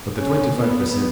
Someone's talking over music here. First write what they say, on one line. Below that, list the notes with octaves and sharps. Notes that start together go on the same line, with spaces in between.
But the twenty-five per cent.
C#4
B3